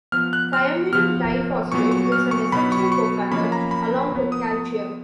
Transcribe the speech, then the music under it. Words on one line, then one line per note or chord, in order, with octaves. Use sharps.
Thiamine diphosphate is an essential cofactor, along with calcium.
F3 B3 F6
F#6
F6
F3 B3 F6
A#2 F#3 B3 C#6
C#6
F6
C#6
B2 F#3 B3 B5
C#6
C#6
F3 A#3 C#4 B5
A#5
B5
F3 B3
D#6